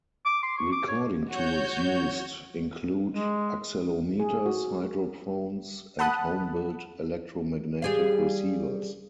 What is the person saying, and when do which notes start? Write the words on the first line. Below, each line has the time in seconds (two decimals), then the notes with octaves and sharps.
Recording tools used include accelometers, hydrophones and home-built electromagnetic receivers.
0.26 D6
0.43 C6
0.58 C#6
0.72 D6
0.88 C#5
1.29 F#4 C#5 G6
3.09 G#3
4.20 G#4
4.46 F#4
5.99 F#5 A5 B5 D#6 F#6
7.82 G3 G#4 F5